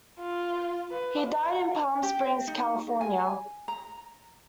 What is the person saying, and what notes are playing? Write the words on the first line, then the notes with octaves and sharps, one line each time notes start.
He died in Palm Springs, California.
F4
B4
G4
D#4
G#5
A#5